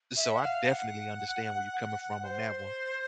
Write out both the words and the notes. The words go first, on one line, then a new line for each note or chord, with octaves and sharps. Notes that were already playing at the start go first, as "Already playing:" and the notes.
So, I definitely understand where you're coming from on that one,
E5
F#5
F5
F#5
C5